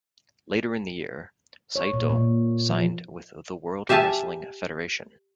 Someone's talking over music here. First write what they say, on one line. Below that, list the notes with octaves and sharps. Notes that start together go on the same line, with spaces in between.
Later in the year, Saito signed with the World Wrestling Federation.
C#5
A#2
A#2
F3
G4 E5 F5 G#5 A5